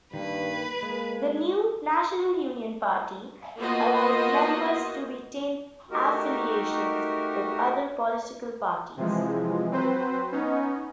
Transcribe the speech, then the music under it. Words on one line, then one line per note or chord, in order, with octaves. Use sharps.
The new National Union Party allowed members to retain affiliations with other political parties.
G2 D#3 A#3 B4
G#3 A#3
A#3 B3 F4 F#4 C5 D#5
A3 D#4 F#4 G4 A#4
C3 E3 F3 G#3
F#3 C4 B4 C5
B3 C#4 D#4